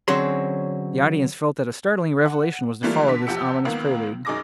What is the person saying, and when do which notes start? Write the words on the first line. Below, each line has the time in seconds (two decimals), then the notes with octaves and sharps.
The audience felt that a startling revelation was to follow this ominous prelude.
0.08 D3 F#3 C4 C#4 G#4 C6
2.26 F#5
2.83 E3 G3 A3 A#3 F4
3.08 D3 B6
3.27 E2 F3 G4 F#5 E6 C#7
3.65 C#2 D#3 A#3 B3
4.25 F#2 D#4 G#4 D6 D#6 A#6